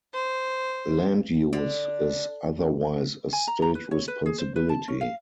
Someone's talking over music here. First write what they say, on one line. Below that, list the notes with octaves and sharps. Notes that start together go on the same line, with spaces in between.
Land use is otherwise a State responsibility.
C5
D3
G#5
A#5
A#5
B4
C#5
B4
G#4
C5
B4
A5
C#4
F5